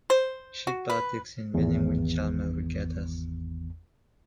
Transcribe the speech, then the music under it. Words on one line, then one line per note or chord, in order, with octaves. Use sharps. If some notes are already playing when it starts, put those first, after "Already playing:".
She partakes in many windjammer regattas.
C5
F#4
B4
G#1 E2